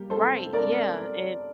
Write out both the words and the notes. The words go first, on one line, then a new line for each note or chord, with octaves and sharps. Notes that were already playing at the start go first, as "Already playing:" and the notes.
right, yeah, and
Already playing: G3 A#3 G4
A4 C5
A#4 D5